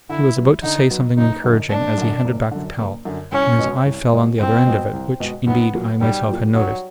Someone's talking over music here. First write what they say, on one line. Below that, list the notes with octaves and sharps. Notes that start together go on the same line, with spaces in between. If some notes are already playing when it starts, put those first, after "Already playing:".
He was about to say something encouraging, as he handed back the towel, when his eye fell on the other end of it, which, indeed, I myself had noticed.
D3 E4
F#3 B3
D3 D#4
F#3 B3
F#1 D#4
F#2 D3
F#1 D4
F#2 D3
F#1
F#2 D3
F#1
F#2 D3
C2 C#4
B2 G#3
C2
B2 G#3
C2 C4
B2 G#3
C2
B2 G#3
B1 B3
A#2 F#3
B1 G3
A#2 F#3
B1 F#3